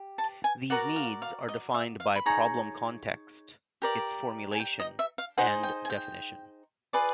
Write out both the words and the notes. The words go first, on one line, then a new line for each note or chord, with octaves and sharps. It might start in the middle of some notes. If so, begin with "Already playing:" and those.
These needs are defined by problem context, its formulation and definition.
Already playing: G4
A5
G#5
F#4 A#4 D5 F#5
F5
F5
D#5
E5
F5
B5
D#4 G#4 C#5 A#5
G4 A#4 D5
G#5
G5
D#5
E5
F5
D#4 G#4 C5 D#5 F#5
G5
G#5
G5
F4 G#4 B4 D5